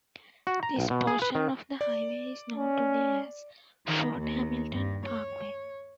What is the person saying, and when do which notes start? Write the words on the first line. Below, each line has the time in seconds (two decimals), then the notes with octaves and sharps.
This portion of the Highway is known today as Fort Hamilton Parkway.
0.47 F#4
0.63 A#5
0.79 B1
0.90 B2
1.07 G#4
1.22 B4
1.35 D#3
1.81 D5
2.55 C#4
3.87 D#3
4.19 D#2
4.72 G2
5.06 C#5